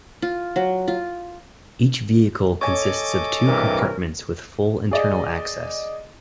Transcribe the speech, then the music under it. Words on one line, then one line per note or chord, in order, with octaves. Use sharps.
Each vehicle consists of two compartments with full internal access.
F4
F#3
F4
A4 C#5 D#5 G#5 D6
G2 C3 E3 A#4
G#4 D5 D#5